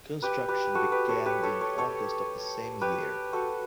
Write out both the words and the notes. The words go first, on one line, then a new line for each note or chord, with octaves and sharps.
Construction began in August of the same year.
G4 B4
G4 B4
F#4 A4
G4 B4
A4 C#5
G4 B4
A4 C#5
A4 C#5
A4 C#5
G4 B4
F#4 A4